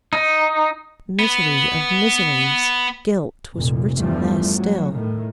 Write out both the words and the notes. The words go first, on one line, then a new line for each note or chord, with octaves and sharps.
Misery of miseries!--guilt was written there still.
D#4
B3 B4
F1 A#2
E2 G2 F3 G3 A3
F#3
A2 D#3